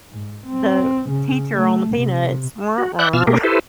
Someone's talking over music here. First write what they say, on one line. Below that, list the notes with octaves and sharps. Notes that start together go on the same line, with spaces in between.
the teacher on the Peanuts, "Wah, wah."
G#2
C4
C#3
A3
C3
F#4
D5 E5 F#5 F#6 G6
B2 F4 E6 F6
B2 A3 A#3 G4 G#4 A#4
E4 G4 A4 B4 C5